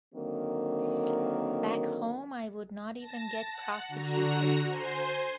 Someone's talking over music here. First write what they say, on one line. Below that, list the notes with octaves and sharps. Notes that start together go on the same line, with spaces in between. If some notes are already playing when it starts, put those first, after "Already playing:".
Back home I would not even get prosecuted.
D3 D#3 F#3 A#3 C4
A5 A#6
F#5
D3 F#4 A#5 F#6 A#6
C5 G#5 C6